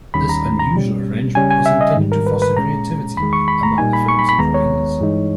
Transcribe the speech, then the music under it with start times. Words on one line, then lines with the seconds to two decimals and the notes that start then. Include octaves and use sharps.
This unusual arrangement was intended to foster creativity among the firm's employees.
0.14 D#2 D#3 G3 C#4 B5
0.29 A#5
0.59 A#5
0.75 B2 G3 C#4
1.35 C#3 G3 C#4 G#5
1.51 G#5
1.66 E5
1.81 D#5
1.96 G#2 D#3 G3
2.12 A#4
2.27 B4
2.42 B4
2.57 A#2 G#3 C#4 A#5
3.17 E2 D#3 G#3 B5
3.33 C#6
3.48 B5
3.63 A#5
3.78 A#2 G3 A#3 D#4 G#5
3.93 B5
4.08 C#6
4.19 B5
4.29 B5
4.39 D#2 D#3 G#3 B3 A#5
4.54 C#5
5.00 G2 E3 G#3 D#4